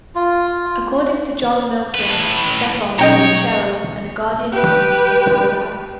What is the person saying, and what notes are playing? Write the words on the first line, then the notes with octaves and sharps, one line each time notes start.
According to John Milton, Zephon is a cherub and a guardian prince of Paradise.
F4
A2 B4
B1 C#4 C#5 D#5 G5 A#5 G6
G4 B4